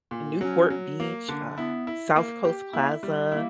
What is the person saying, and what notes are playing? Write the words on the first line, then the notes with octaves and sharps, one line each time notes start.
Newport Beach, uh, South Coast Plaza,
A#2
F#3 C#4
F#3
A#3
D3
B3 E4
E4
A#3
G4
A#3 E4
G3
A#3 E4